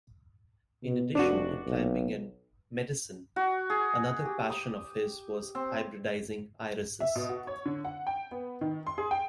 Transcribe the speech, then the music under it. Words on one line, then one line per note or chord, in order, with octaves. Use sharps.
In addition to climbing and medicine another passion of his was hybridizing irises.
B2
F1 D4 F#4
B1
F#4
G#4
G4
D#6
C4
E5
B2
F#4
C#5
D3
F#5
G5
B3
D#3
C6
G#4
G5